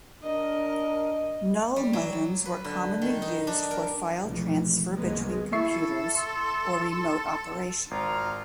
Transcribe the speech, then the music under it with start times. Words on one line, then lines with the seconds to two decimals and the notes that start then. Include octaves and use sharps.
Null modems were commonly used for file transfer between computers, or remote operation.
0.23 D4 A#4 D#5
1.76 G3
1.93 F#3
2.45 B4
2.64 D3
3.02 D#3
3.22 D#4
3.47 D4
3.71 A#4
4.21 F1 C#2 B2 E3 F3
4.95 C2 F#2 D#3 G#3 A#3 B3
5.52 E4 A4 E5 C#6 C7
6.14 C6
7.91 G#1 F4 A#5